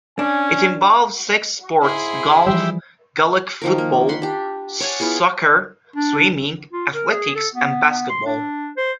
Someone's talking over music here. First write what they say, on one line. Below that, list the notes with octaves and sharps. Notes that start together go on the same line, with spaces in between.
It involves six sports; golf, gaelic football, soccer, swimming, athletics and basketball.
C#4 D4 G#5
G#2 E4 G#4 C6
E3 F3 G3 G4 E5
D#3 F3 A#4
A#3
F#5 B5 C6
D4 G4
C#5 D5 F#5 G#5
B3 E4 F4 G#4
D4
F4
A#4
G#4
A4
B3
C6
D4
C5